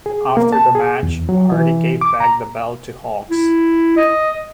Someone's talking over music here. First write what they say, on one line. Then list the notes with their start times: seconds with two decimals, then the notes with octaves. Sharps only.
After the match, Hardy gave back the belt to Hawx.
0.06 G#4
0.37 A#3
0.53 A5
0.75 G#4
1.03 E2
1.29 F#3
1.52 E3
2.01 D6
2.20 A#5
3.30 E4
3.97 D#5